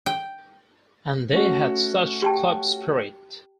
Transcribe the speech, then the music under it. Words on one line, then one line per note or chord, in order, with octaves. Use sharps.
And they had such club spirit.
G5
A3 C#4 F#4
G4 G5 A5